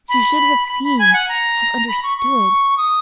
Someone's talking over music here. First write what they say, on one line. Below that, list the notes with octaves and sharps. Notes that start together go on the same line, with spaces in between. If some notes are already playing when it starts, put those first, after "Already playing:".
She should have seen--have understood.
B5
B5
B5
G#5
F#5
A#5
B5
C#6
C#6
D#6